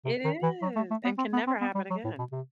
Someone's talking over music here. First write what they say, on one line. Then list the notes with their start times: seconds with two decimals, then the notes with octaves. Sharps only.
It is and can never happen again.
0.05 C3
0.24 D#3
0.43 E3
0.62 F#3
0.76 A3
0.91 A3
1.04 B3
1.18 C4
1.33 B3
1.47 C4
1.61 B3
1.75 G3
1.90 F#3
2.04 A2
2.19 B2
2.32 C3